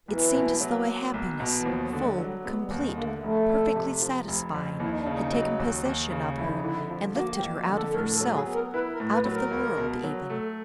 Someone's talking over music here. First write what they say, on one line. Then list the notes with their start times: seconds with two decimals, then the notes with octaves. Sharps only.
It seemed as though a happiness--full, complete, perfectly satisfying--had taken possession of her, and lifted her out of herself-- out of the world even.
0.08 B1 E3
0.35 B2
0.61 F#3
0.88 A#3
1.14 B1
1.40 B2
1.59 E3
1.66 D#2 F3
1.85 F#3
1.93 D3
2.01 G#3
2.05 G3
2.18 F#3
2.25 G3
2.45 G#3 B3
2.65 G3
2.70 D#2
2.83 G#3
2.96 D3 A#3
3.04 A3
3.23 F1 A3
3.50 F2
3.76 C3
4.02 F3
4.28 F1
4.54 F2
4.80 D#2 E4
4.89 D#4
4.99 D4
5.07 C#3 D#4
5.33 F#3
5.59 D#2
5.85 D#2
6.11 C#3
6.37 F2 E4
6.49 D#4
6.61 D3 E4
6.90 F3
7.15 A#3 F#4
7.35 G4
7.42 F2
7.69 D3
7.76 A4
7.90 A4
7.94 A2 A#4
8.14 A4
8.21 F#3
8.34 G#4
8.47 B3
8.53 A#4
8.73 E4 B4
8.93 A#4
9.00 A2
9.13 B4
9.25 F#3
9.32 A#4
9.51 C#2
9.78 B2
10.04 F#3
10.30 A3